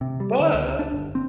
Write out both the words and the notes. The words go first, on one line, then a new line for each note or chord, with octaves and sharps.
M "But"
C3
G3
D3
C#2
D4
G1
C4